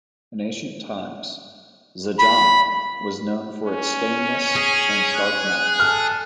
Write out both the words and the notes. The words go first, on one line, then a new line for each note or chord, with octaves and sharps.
In ancient times, Zanjan was known for its stainless and sharp knives.
B5
C#4
G#4
F#6
A4 F6